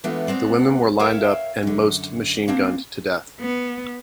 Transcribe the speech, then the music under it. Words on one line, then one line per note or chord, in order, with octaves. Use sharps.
The women were lined up and most machine-gunned to death.
E3 G#3 A3 B3 D4 F4
G#3 B3 C4 D5
A#4 C#5 E5 F5 G5
F#2 D3
A#3 C4 D4
B3